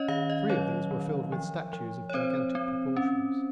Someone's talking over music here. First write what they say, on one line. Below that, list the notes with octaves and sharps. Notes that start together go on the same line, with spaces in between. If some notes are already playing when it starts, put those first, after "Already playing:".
Three of these were filled with statues of gigantic proportions.
Already playing: C#4 C#5 D#5
D#3 F5
D#5
F#3 C#5
D#3
F3
F3
C#5
C4 C5
C4
C#4